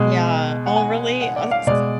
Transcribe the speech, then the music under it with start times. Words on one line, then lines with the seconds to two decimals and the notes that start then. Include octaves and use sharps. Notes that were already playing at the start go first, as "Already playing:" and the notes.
Yeah, oh, really? Oh, tiss
Already playing: B2 G#3
0.66 F#5
0.76 G#5
1.21 F#5
1.36 D5
1.51 F5
1.67 B2 G#3 D5